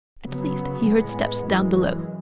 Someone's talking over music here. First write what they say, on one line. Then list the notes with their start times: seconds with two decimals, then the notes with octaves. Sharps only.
At last he heard steps down below.
0.25 C#3 F#3 B3
0.84 A2 G#3 B3
1.44 F#2 E3 G#3